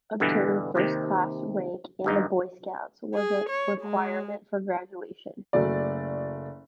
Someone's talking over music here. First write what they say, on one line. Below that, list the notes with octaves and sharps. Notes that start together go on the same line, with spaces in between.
Obtaining First Class Rank in the Boy Scouts was a requirement for graduation.
G2 B2 D3 E3 G3
D#2 C3 D#3
G#1 G2 D#4
G#4
C#5
G#3
F#1 F#3 A3 D5